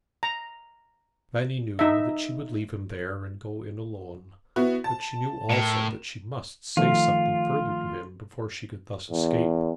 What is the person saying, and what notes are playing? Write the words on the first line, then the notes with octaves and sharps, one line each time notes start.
Fanny knew that she would leave him there and go in alone, but she knew also that she must say something further to him before she could thus escape.
A#5
D#4 E5
B3 E4 F#4
A5
A2 A#4 E7
D#3 F3 A3 F4
E2